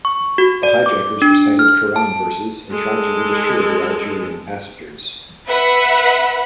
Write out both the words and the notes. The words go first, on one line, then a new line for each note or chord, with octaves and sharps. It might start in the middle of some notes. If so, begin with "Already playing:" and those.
The hijackers recited Quran verses and tried to reassure the Algerian passengers.
C#6
F#4
D5
D6
D4
F6
A5
G#3 A4
B4 E5 F#5 B5